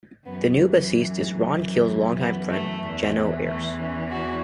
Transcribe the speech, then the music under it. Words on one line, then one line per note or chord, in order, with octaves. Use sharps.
The new bassist is Ron Keel's longtime friend, Geno Arce.
F#2 E3 B3
B3
A3
E2 E3
A3
C#4
F#4